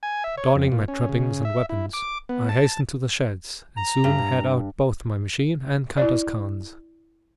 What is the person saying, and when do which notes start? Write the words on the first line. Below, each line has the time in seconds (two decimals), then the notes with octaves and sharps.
Donning my trappings and weapons I hastened to the sheds, and soon had out both my machine and Kantos Kan's.
0.03 G#5
0.24 E5
0.37 C#5
0.56 F2
0.72 A#2
0.88 C#4
1.09 C#3
1.45 E5
1.69 E4
1.93 D6
2.29 B3
2.49 A5
3.77 A#5
4.04 G2
5.98 E4 D5